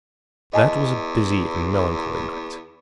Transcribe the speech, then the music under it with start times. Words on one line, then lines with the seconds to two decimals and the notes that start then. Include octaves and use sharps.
That was a busy and melancholy night.
0.53 E2 D#5 G#5 A5